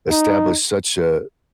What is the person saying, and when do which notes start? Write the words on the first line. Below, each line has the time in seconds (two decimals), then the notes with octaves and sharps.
establish such a
0.11 D#4